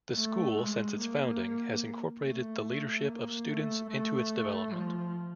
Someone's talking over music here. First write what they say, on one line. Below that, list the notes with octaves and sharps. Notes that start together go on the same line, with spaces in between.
The school since its founding, has incorporated the leadership of students into its development.
A3
G#3
A#3
A3
A#3
A3
A3
F3